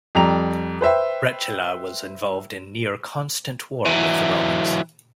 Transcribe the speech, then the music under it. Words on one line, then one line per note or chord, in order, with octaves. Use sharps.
Rechila was involved in near constant war with the Romans.
F2 G3 A#5 F7
B4 C5 E5 G5
E3 F#3